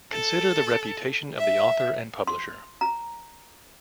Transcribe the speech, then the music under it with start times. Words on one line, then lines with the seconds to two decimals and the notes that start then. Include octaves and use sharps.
Consider the reputation of the author and publisher.
0.12 A4
1.37 E5
2.27 C6
2.81 A#5